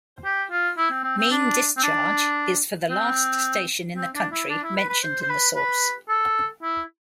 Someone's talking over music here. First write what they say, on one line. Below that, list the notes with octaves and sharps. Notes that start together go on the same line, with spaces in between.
Mean discharge is for the last station in the country mentioned in the source.
G4
F4
E4
C4
C4
C4
D4
C4
D4
C4
C4
D4
E4
D4
E4
B4
B4
C5
C5
B4
B4
A4
E4